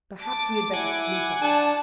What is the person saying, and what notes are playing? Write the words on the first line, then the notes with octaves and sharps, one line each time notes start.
Perhaps we had better sleep on it.
A5 D6
E4 F#5 G#5
D4 A5